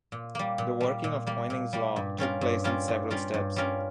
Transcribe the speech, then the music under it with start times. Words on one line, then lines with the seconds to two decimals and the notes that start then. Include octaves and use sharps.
The working of Poynings' Law took place in several steps.
0.12 A#2
0.35 G3 A#3
0.58 A#2
0.81 G3 A#3
1.04 A#2
1.27 G3 A#3
1.50 A#2
1.73 G3 A#3
1.96 G2
2.18 G3 C#4 F4 A#4
2.41 G2
2.64 G3 C#4 F4 A#4
2.88 G2
3.10 G3 C#4 F4 A#4
3.34 G2
3.56 G3 C#4 F4 A#4